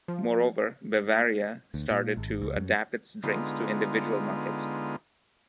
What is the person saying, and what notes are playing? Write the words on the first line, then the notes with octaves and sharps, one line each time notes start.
Moreover, Bavaria started to adapt its drinks to individual markets.
F3
D2
A#2
G#1
C#2
F#2
D3 G#3 B3 D#4 F4